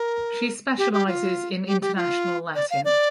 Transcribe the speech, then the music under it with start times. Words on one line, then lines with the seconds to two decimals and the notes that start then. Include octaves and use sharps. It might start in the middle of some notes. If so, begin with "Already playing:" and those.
She specializes in International Latin.
Already playing: A#4
0.78 G4
0.93 G4
1.07 F4
1.67 G4
1.82 G4
1.96 F4
2.55 D5
2.71 F5
2.85 D5